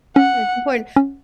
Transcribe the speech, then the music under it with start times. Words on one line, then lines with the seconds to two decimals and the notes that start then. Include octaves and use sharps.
Yeah, it's important,
0.16 C#4 F#5
0.96 C#4